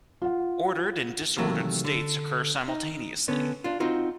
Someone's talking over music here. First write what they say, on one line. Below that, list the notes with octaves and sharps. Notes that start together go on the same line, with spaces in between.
Ordered and disordered states occur simultaneously.
F4 F#5
C3 D#3 E3 F#3 A3 A#3
D3
D#4
D3 B3 C#4
D4 F4
C4 D#4 F4 F#4